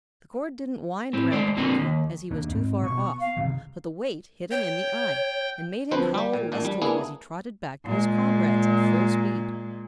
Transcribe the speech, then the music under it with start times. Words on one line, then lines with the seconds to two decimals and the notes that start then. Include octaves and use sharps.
The cord didn't wind around the Pinkie, as he was too far off, but the weight hit him in the eye and made him howl lustily as he trotted back to his comrades at full speed.
1.13 A2 C4
1.32 G#3 A3 C5 D5
1.57 F2 A#2 D3 F3 C4
1.79 D#2
2.30 D#2 A#3 D4
2.51 G#2 C4
2.83 B2 C#6
2.98 B3
3.20 F5
3.37 G1 C3 D#3
4.51 C#5 G5
5.91 D2 F3 C4 B4 C5
6.14 G3 G4
6.33 A#2
6.52 A1 A#2 D4
6.65 G3
6.82 A#3 B3 D4 E4 G#4
7.85 A#2 G#3